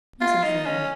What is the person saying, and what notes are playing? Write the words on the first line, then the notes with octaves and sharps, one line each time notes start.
Message for you.
F4
D#4
C#4